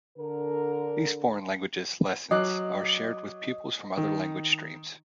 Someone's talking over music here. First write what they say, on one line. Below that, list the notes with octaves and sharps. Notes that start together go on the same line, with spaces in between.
These foreign languages lessons are shared with pupils from other language streams.
D3 A#4
F#3 D#5 D6 D#6 F#6
D#3